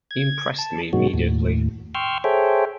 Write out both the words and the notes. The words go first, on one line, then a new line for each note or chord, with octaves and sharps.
He impressed me immediately.
G#6
A5
G2 B2 D#3 F#3 G#3 F#4
D#2 A2
G5 C6 C#6 E6 F6
G#4 A4 C5 C#5 E5 G5